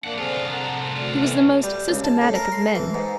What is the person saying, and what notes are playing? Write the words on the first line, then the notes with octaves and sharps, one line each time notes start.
He was the most systematic of men.
F2 A#3 D4 F#5
C2 D3 C4 F4 G#4
F#5 A5 A#5
D2 D3 D4
F2 E3 A3
G3
C#2
A5
A2
A#4
C6
E3
G#2